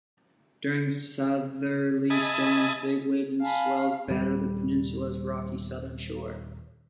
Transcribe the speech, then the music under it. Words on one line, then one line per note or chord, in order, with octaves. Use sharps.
During southerly storms, big waves and swells batter the peninsula's rocky southern shore.
D#5 E5 G#5 A5 B5 D#6
F5 G#5 A5 B5
D#1 G3